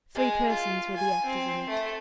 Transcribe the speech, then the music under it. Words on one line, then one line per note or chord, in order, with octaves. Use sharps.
Three persons were the actors in it.
G#3
F4
G#5
C4
A3